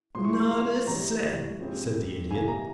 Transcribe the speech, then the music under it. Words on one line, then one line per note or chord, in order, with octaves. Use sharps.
"Not a cent," said the Idiot.
G#2 F3 G#3 E4 C6
C#6
C6
C6
G#2 E3 G3 C#4 E4 A#5
G2 F3 G#3 C4
C#3 E3 G3 A#3 E4 G#5
A#5